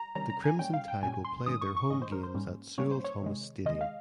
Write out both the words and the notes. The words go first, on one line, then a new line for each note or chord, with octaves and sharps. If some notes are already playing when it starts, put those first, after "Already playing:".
The Crimson Tide will play their home games at Sewell–Thomas Stadium.
Already playing: G3 A#5
C3 D#3 G3 C#4 A#5
A#5
G#5
A#2 G3 C#4 G5
F5
G5
A#2 G3 C#4 G#5
C6
G#2 D#3 G#3 C#4 D#6
C#6
C#6
G#2 D#3 G#3 C#4 D#5
C5
A#4
C5
G#2 G3 A#3 C#4
G#2 G3 A#3 C#4 C#5
C5
C#5
C3 D#3 G#3
C3 D#3 G#3 D#5
F5